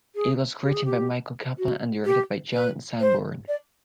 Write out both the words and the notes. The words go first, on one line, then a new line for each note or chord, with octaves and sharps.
It was written by Michael Kaplan and directed by John Sanborn.
G#4
G4
G#4
G4
F#4
G4
B4
C5
D5